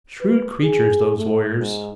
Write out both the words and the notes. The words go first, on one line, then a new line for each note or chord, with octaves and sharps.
Shrewd creatures, those lawyers.
B4
G#4
A3
G#2